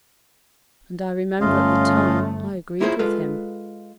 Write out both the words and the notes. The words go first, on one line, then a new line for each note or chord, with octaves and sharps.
And I remember at the time I agreed with him.'
G1 A3 C#4 F4 D#5 F5
A#3 E4 F4 G#4 A4 C5
G#3 F4 A4 B4